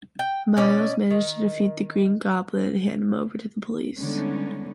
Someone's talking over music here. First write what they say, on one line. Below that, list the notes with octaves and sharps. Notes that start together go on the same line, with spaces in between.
Miles managed to defeat the Green Goblin and hand him over to the police.
G5
B2 C#4 D5
D#3
D3 G3 G#3 B3 C#4 D#4